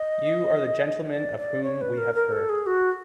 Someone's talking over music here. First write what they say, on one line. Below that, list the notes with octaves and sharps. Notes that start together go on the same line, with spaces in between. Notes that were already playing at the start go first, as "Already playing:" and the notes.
You are the gentleman of whom we have heard.
Already playing: D#5
D5
D5
C#5
B4
A#4
A#4
A4
G#4
F#4